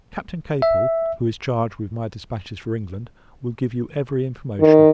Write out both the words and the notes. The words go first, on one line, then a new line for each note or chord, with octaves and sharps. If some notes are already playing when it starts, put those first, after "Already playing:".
Captain Capel, who is charged with my dispatches for England, will give you every information.
E5
D#3